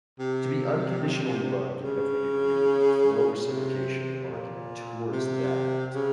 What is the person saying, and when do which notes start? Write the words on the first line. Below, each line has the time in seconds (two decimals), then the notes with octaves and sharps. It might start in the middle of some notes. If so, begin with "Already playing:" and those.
To be unconditionally loved in every degree with no reciprocation or argument towards that
0.19 C3
1.84 C#3
3.48 C3
4.31 A#2
5.12 C3
5.95 C#3